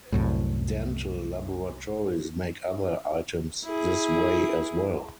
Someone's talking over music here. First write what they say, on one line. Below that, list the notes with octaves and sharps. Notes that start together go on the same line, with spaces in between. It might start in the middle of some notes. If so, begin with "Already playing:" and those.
Dental laboratories make other items this way as well.
C2 F#2 A2
E4 G#4